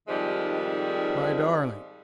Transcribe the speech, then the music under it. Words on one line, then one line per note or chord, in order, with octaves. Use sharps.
My darling!
F2 G#2 D#3 F3 G3 G#3